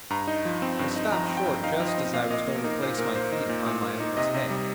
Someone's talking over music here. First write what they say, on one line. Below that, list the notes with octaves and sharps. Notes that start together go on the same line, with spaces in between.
I stopped short just as I was going to place my feet upon my uncle's head.
G2 A#5
D#4
F3
C4
G2
D#4
F3 A#5
C4
G5
G2
D#4 F5
F3
D#5
C4
A#2 F5
A#2 D#5
A#3 A#4
D#4 A#4
A#2 C5
A#2 A#4
A#3 C5
D#4
A#2
A#2
A#3
D#4
C3 D#5
C3
G3